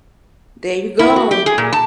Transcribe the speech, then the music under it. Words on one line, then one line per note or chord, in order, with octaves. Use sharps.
There you go.
E4
F#4
G4
G#4
A#2
A5